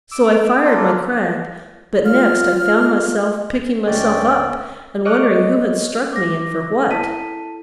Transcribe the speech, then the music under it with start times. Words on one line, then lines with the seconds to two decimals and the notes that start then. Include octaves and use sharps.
So I fired my Krag, but next I found myself picking myself up and wondering who had struck me and for what.
0.12 D6 E6
0.64 A#3 D4 F4 A4
2.05 F4 F6
3.86 D2 C#4 D5 G5
5.05 C#5 D#5 C#6 D6 F6 F#6
6.13 D6 A#6
6.90 E4 A4 A5 B6 D#7